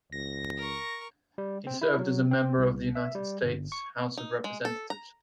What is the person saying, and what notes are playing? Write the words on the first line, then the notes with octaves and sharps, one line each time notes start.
He served as a member of the United States House of Representatives.
C#2 A#6
A#4 C#6
G3
C4
E4
F#3
C4
C2
E5
G3
G1
C#6
D#4
G#3
A4
A#5